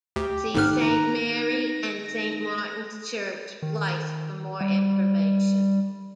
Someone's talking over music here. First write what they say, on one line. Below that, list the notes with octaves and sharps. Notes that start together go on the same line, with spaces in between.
See Saint Mary and Saint Martin's Church, Blyth for more information.
D2 G4
G#1 G#2 D#3 G4 F6 F#6
D#3 A#5
A#6
D#3
G3